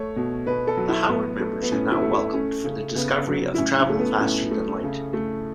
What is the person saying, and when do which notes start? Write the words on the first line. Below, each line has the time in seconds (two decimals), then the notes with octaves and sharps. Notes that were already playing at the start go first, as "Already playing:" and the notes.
The Howard members are now welcomed for their discovery of travel faster than light.
Already playing: A3 C#5
0.16 B2
0.47 B2 B4
0.67 A4
0.77 F#3
0.89 E4
1.09 A2 B3
1.40 A3
1.62 B3
1.71 A2 C#4
1.91 E4
2.02 A3
2.13 E4
2.33 A3 C#4
2.64 C#3
2.95 C#3 B3
3.27 F#3
3.54 E4
3.58 A2 C#4
3.79 C#4
3.89 A3
3.99 B3
4.20 A2 C#4
4.51 A3
4.83 C#3
5.13 A3